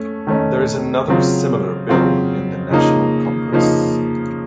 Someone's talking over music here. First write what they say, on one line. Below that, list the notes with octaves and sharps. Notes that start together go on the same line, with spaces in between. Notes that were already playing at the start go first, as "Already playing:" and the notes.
There is another similar bill in the National Congress.
Already playing: A3 C#4
D#3 A3 C#4
C#3 F#3 C4 F4
C#3 F#3 C4 F4
C#3 F3 A#3 D#4
C#3 F3 A#3 D#4